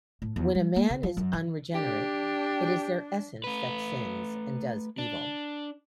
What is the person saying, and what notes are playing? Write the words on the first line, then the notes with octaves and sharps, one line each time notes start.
When a man is unregenerate, it is their essence that sins and does evil.
A2
E2
G3
A#3
C#3
F3
F#2
E3
D4 G4
A3 B4
D4